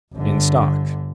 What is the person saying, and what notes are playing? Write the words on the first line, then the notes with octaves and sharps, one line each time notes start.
"In stock?"
G1 D3